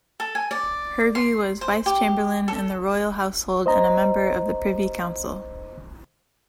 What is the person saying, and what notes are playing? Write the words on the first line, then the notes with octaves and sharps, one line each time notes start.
Hervey was vice-chamberlain in the royal household and a member of the Privy Council.
A4
G#5
D5
C6
C5
G4
A4
C5 D#5 A#5